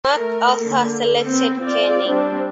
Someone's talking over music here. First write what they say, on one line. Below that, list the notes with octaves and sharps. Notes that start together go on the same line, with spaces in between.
MacArthur selected Kenney.
A3 A#4
D3 A#3
B3 C4
C4 F4 D5
G3 C4 D4